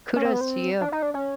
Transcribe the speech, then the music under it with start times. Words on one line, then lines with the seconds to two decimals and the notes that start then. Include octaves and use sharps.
Kudos to you,
0.16 C#4
0.24 C4
0.33 B3
0.41 C4
0.81 D4
0.92 D#4
1.02 D4
1.14 C#4